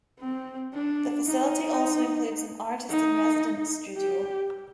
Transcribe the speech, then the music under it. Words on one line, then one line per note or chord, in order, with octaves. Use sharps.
The facility also includes an artist-in-residence studio.
C4
D4
D#4
D#4
G4